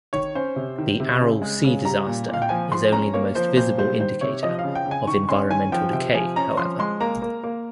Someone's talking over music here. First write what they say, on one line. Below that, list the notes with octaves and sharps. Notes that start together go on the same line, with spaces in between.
The Aral Sea disaster is only the most visible indicator of environmental decay, however.
D#3 C#5
C#4 C5
C3
D#3
C3
C#3
G#3
C#3
G3 A#5
A#2
A#2 F5
G5
F3 G#5
F3 C6
C#4 A#5
A#3 C#5
F3 C5
A#2 C5
G3 C5
D#3 C5
C3 C#5
F3 D#5
F5
C#3
G5
C#3
G#5
D#3 C#6
C#4 C6
D#3 G#5
F3 G5
C3 G5
F3 G#5
C#4 A#5
F3 C6
G#3 C6
A#3 A#5
A#3
A#3